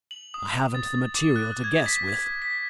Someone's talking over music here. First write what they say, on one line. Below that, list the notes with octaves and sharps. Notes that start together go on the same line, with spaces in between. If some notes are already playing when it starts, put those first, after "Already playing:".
I haven't the material to guess with.
F#7
D#6
A6
D6
F#6
G#6
B6
B6